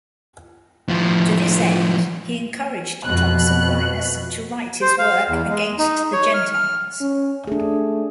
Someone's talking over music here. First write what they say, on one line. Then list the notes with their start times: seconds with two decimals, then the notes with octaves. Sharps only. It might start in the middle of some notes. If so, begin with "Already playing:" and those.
To this end he encouraged Thomas Aquinas to write his work "Against the Gentiles".
0.89 A2 F3
3.05 F2 B2 F#6
4.81 C5
4.99 F5
5.28 E2
5.49 G#3
5.79 D#4
6.13 C#5
6.34 F6
6.53 F6
7.01 C#4
7.48 A3 D4 G#4